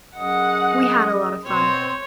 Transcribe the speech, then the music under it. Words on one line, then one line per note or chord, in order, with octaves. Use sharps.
We had a lot of fun.
F#2 G#4 D#5 F#5
B2 C4 C5 C#5